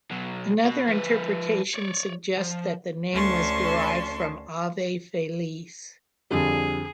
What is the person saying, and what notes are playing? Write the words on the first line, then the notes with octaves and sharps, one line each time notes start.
Another interpretation suggests that the name was derived from "ave feliz".
B2 F#3
B2
F3 B4
C#5 D5
F3
D2 C#4 D4 A5 C6 C#6
F2 D3 G3 G#4